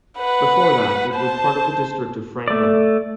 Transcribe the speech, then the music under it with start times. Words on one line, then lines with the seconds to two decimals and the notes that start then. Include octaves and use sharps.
Before that, it was part of the District of Franklin.
0.18 B4 F#5
1.14 C5 A5
2.48 A3 D5